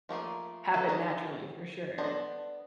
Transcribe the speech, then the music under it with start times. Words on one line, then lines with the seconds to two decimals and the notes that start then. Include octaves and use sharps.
happen naturally for sure.
0.09 F3 A3 A#3 G#4
0.74 A3 D#4 A4 B4
0.89 F#3 A4 D#5 A5
1.98 B3 D4 A4 C5 D#5